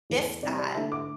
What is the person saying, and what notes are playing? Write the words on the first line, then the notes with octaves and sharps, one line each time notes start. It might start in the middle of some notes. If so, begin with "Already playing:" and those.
If that
E2 E3 A3
C3 G3 C4 E4 D5
D5
D3 A3 E4 E5
D6